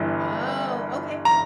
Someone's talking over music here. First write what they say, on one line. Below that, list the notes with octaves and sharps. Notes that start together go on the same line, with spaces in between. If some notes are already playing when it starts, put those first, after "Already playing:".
Oh, okay.
Already playing: G1 G2 E3
A#5